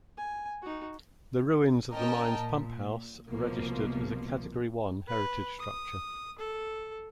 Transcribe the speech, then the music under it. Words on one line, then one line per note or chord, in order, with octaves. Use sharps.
The ruins of the mine's pumphouse are registered as a Category One heritage structure.
G#5
D#4 F#4
C#4 A#4 D#5 G5 A5 A#5
A#2
C2 B2 F3 A#3
B4
D#6
A4